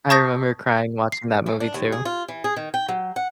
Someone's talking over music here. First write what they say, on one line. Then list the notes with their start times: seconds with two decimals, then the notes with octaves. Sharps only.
I remember crying watching that movie too.
0.10 A5 C#6 D#6 G6 A6 A#6
1.12 C7
1.46 E3
1.60 D4
1.74 D#2
1.92 G#4
2.05 F4
2.28 E3
2.44 G#4
2.56 D#3
2.74 G5
2.88 F#3
3.16 F#5